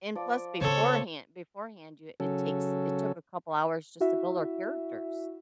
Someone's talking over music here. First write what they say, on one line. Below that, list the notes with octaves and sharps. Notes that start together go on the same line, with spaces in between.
and plus beforehand beforehand, you it takes it took a couple hours just to build our characters.
F3 D5
C#3 B3 A4 C5 C#5
C#3 F#3 C#4 A4
E4 F#4 E5